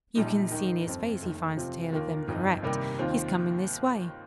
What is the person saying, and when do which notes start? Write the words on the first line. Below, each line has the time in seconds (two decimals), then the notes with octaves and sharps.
You can see in his face he finds the tale of them correct. He's coming this way.
0.15 A#1 A#2 G3 D#4
0.51 D#2 D#3 A#3 D#4
0.86 G1 F2 F3 C4
1.22 F1 D#2 D#3
1.57 F2 C3 F3 C4 F4
1.92 D#2 D#3 A#3 F4
2.28 G1 F2 F3 D#4
2.63 C2 C3 D#3 G3 A#3
2.98 D#2 D#3 C4 F4